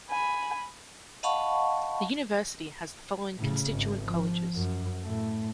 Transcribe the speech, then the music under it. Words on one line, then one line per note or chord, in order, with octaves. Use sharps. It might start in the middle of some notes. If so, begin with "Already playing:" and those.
The university has the following constituent colleges.
G#5 B5
D#5 F5 F#5 A5 B5 C#6
A2 C#3
G#1
F3
F#2
A2 A3